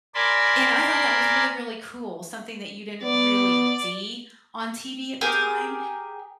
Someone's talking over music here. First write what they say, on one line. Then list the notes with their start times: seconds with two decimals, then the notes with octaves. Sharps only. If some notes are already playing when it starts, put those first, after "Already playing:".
and I thought that was really, really cool, something that you didn't really see on TV at the time,
0.15 A#4 D5 G#5 A5 B5 C6
3.03 B3 D5
5.21 G4 G#4 A#4